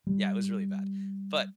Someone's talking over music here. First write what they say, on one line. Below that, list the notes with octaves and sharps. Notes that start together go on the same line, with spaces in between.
Yeah, it was really bad. But
G3